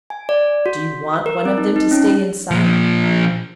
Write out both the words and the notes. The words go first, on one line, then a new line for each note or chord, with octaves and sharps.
Do you want one of them to stay inside?
G#5
D5
F#4
A#4
C4
D#4
D#4
C#4
A#2 F3